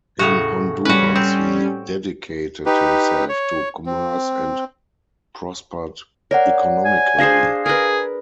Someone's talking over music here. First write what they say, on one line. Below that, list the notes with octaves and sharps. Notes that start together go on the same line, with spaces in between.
In Honduras he dedicated himself to commerce and prospered economically.
A2 C#3 F#4
G3 C#4 F#4 B4
C4
D#4 G4 B4
C#5
C4
A#4 C#5 D5 F#5
G#5
D4 G#4 C5 F5 A#6 C7
G#4 A#4 B4